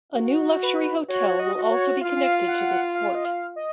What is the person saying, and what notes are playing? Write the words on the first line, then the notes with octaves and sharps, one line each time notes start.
A new luxury hotel will also be connected to this port.
F#4
B4
F#4 C#5
C#5
D#5
F#4
C#5
F4 F5
F#5
F5
D#5
F5
D#5